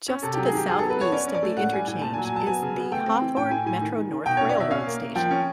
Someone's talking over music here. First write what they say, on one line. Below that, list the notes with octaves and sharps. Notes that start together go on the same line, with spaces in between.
Just to the southeast of the interchange is the Hawthorne Metro-North Railroad station.
C#4
C3 A4
F#3 G4
G#4
D#3 G4
F#3 G#4
B3 A4
B4
B3 C#5
C#4 D5
C#4
D5
A3
A2 F#5
G3 G#5
A2 G#5
A#2 A5
G#5
F#3
G#5
F#3 A5
B3 G#5
C#3
B3
A3 G5
C4
E3
A2 G5
A2 G#5
A2 G#5
D#3
D#3
D#3
B2 G5
C#4 C#5
D5
B2 E5
C#4 F5
A#3
A#3
F3 G5
C#4